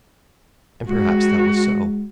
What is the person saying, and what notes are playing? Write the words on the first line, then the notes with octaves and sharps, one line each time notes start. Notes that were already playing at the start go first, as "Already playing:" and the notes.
And perhaps that was so.
G#3 F#4